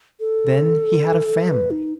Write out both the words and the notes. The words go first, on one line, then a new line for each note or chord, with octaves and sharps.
Then he had a family!
A4
B4
D#4